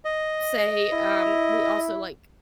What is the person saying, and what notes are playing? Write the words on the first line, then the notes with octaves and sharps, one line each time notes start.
say, um, we also, like
D#5
E4